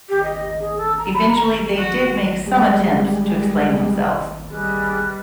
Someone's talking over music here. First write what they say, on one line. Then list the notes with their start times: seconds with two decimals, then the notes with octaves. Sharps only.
Eventually they did make some attempts to explain themselves.
0.09 G4
0.23 D#5
0.59 G#4
0.77 A4
0.98 A#5
1.14 B5
1.28 A#5
1.77 F#4
2.46 G3 G#3
4.52 G3 G#4 B4 D#5 F#6